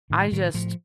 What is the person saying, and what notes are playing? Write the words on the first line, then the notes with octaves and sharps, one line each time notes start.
I just
A2 D#3
A2 D#3
A2 F3